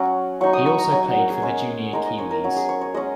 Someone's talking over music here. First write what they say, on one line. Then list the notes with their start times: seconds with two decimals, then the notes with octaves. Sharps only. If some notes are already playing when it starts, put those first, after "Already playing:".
He also played for the Junior Kiwis.
Already playing: F#3 C#4
0.41 F#3 D#4 C#6
0.53 D#6
0.66 C#6
0.79 A#5
0.92 F#3 D#4 G#5
1.05 F#5
1.17 A#4
1.30 G#4
1.42 G#3 C#4
1.93 G#3 D#4 A#4
2.06 D#5
2.18 C#5
2.31 A#4
2.44 F#3 C#4
2.56 G#4
2.69 C#5
2.81 C#5
2.94 G#3 C#4 D#5